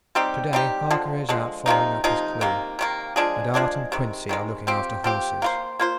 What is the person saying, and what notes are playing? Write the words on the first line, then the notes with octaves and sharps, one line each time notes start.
To-day Harker is out following up his clue, and Art and Quincey are looking after horses.
G3 C4 D#4 G4
G3 C4 D#4 G4
D3 F3 G#3
D3 F3 G#3
C3 F3 A#3 D#4
C3 F3 A#3 D#4
C3 D#3 A#3
C3 D#3 A#3
F3 G#3 D4 G#4
F3 G#3 D4 G#4
C3 D#3 G#3
C3 D#3 G#3
F3 C4 G4
F3 C4 G4
A#3 F4 C5
A#3 F4 C5